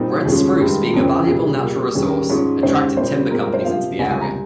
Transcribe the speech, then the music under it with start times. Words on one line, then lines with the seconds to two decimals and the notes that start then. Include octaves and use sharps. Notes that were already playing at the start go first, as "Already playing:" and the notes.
Red spruce, being a valuable natural resource, attracted timber companies into the area.
Already playing: A#2 G3 C4 D#4
0.25 D#2 C#3 F3 G#3 C#4 G#4
0.59 G2 D#3 G#3
0.93 F2 C#3 F3 C4 A#4
1.27 C2 A#2 G3 G#4
1.61 A#2 G3 A#3
1.95 D#2 D#3 G3 C#4 G#4
2.06 A#4
2.29 G#2 F3 G#3 C#4 C#5
2.63 D#2 D#3 G#3 C#4 C5
2.97 A#2 G3 A#3 C5
3.31 A#2 G#3 C4 A#4
3.42 A#4
3.53 C5
3.65 C3 F3 A#3 F5
3.99 C#2 C3 G3 A#3 G#5
4.10 G#5
4.21 A#5